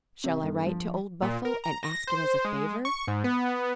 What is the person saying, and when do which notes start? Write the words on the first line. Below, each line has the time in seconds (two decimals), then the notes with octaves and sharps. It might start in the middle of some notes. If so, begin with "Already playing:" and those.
"Shall I write to old Buffle, and ask it as a favour?"
0.24 C3
0.43 G1
0.67 F3
1.22 A#2
1.45 A#4
1.64 A#5
1.83 A#6
2.07 C5
2.45 G#3
2.85 C#6
3.07 G#2
3.24 B3